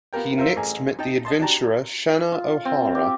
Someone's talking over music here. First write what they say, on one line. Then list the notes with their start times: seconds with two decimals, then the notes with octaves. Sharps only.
He next met the adventurer Shanna O'Hara.
0.13 B3 F4 G4 A#4 G5
0.38 F4 A#4 C5 E5
0.56 A1 G#4 A#5
0.99 D#4 G5 A5
1.25 D#5 A5 C6
1.40 D4 F#4 G4 A5 A#5
2.32 F4
2.65 C4
2.95 G4